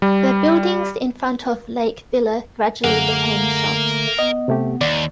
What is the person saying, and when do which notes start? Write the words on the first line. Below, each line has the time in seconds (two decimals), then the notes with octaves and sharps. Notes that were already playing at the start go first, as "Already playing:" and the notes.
The buildings in front of Lake Villa gradually became shops.
0.02 G3
2.84 F#2 D3 A3 G#4 A#4 F5 F#5
4.19 B3 D#5
4.48 C3 A3 G4
4.81 D#2 D5